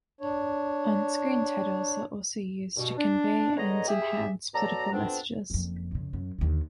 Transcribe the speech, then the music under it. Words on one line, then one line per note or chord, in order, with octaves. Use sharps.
Onscreen titles are also used to convey and enhance political messages.
D4 C#5
G2 B2
D4
D3 G#3 B3 C#5 D#5 A#5
G4 G#4 E5
B2 F#3 A4 D5 A#5
F2 B3 C4 D4
F#1 F2
F2 C#3
F#2
D#2 D3